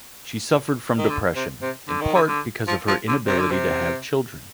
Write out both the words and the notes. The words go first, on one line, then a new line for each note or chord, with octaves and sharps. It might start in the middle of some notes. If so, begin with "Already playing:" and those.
She suffered from depression, in part because of her inability to have children.
D#3
D3
C3
C3
D3
D#3
D3
D3
F3
F3
D3
C3
D3
C3